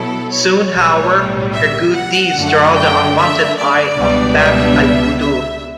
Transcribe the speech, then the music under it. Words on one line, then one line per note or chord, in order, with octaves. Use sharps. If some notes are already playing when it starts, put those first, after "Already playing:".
Soon, however, her good deeds draw the unwanted eye of Badr Al-Budur.
Already playing: B2 F#3 B3 E4 A4
C#5
B1 A2 G3
E5
F#5
F#2 D3 A3 D4
G5
E5
D5
C#2 B2 G3 B3 D4
E5
E5